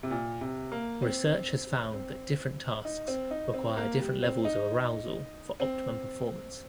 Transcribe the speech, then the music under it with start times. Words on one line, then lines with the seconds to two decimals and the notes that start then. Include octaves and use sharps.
Research has found that different tasks require different levels of arousal for optimal performance.
0.03 C3
0.10 A#2
0.41 C3
0.72 A#3
1.02 C4
1.93 C4
2.85 D#4
3.08 C4
3.31 D#4
3.54 C4
3.77 A#3
4.00 G3
4.22 C4
4.45 D#4
5.60 C4